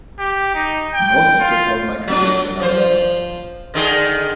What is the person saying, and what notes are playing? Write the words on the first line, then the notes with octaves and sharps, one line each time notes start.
Moses propelled my career to another level.
G4
D#4
G5
F4
F#3 D4
F3 C5
D3 D#3 G#4